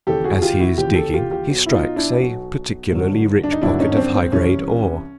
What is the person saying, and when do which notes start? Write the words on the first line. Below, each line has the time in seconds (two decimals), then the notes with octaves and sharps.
As he is digging he strikes a particularly rich pocket of high-grade ore.
0.07 D#2 C#3 E3 G4 A4
0.24 F#4 G#4
0.38 G#4
0.42 F4 G4
0.60 E4 F#4
0.78 D#2 C#3 E3 F4 G4
0.96 G4 A4
1.14 F4 G4
1.31 F4 G4
1.49 B1 B2 F#3
1.66 E4
1.72 D#4 F4
1.96 D4 E4
2.20 B1 B2 F#3
2.90 G#1 G2 D3 F#3
3.43 D4
3.52 D#4
3.62 G#1 G2 D3 F#3 D4 E4
3.79 C#4 D#4
3.92 C#4
3.97 C4 D4
4.15 C4
4.32 C2 C3 E3 C#4